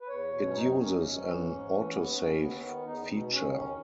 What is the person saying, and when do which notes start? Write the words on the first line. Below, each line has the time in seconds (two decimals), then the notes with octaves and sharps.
It uses an autosave feature.
0.02 B4
0.08 E2 C#5
0.31 B2
0.47 C#4
0.54 F#2 D#4
0.77 D#3 C#4
1.00 F#2
1.24 E3
1.47 G#2
1.69 E3
1.92 D#2 B3
2.15 D#3 C#4
2.38 D#2 B3
2.61 D#3 B3
2.84 E2 D#4
3.07 B2
3.30 D#2 C#4
3.54 D#3 C#4